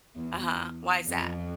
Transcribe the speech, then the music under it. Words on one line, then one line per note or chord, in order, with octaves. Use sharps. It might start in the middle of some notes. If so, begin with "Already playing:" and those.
Uh-huh, why's that?
E2
F2